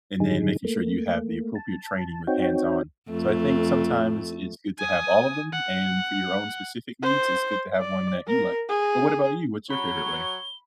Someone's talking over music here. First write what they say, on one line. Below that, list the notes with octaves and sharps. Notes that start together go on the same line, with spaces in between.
and then making sure you have the appropriate training with hands-on. So, I think sometimes it's good to have all of them, and for your own specific needs, it's good to have one that you like. But what about you? What's your favorite way?
G#2 D3 D#3 G3 D#4 G#4
A3 A#3
A5
C4 D#4 F#4 C#5 G5
F2 A3
G#5 D#6
F#5
C5
D5
A#4
G#4
F#3 C#5 B5 G7